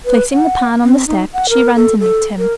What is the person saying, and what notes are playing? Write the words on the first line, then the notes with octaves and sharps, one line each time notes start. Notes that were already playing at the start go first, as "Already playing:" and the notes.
Placing the pan on the step, she ran to meet him.
B4
F#5
C4
D#4
F#5
A#4
A4
A4
A#4